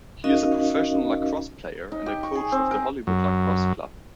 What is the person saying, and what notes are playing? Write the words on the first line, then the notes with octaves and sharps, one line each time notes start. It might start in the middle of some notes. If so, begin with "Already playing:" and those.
He is a professional Lacrosse player and coach with the Hollywood Lacrosse Club.
C#4 D#4 F#4 A#4 D#5 F5
D#4
G4
C#6
G#4
C4
A#4
F#2